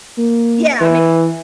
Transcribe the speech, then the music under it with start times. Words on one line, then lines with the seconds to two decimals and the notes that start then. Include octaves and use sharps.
Yeah, I mean,
0.18 A#3
0.81 E3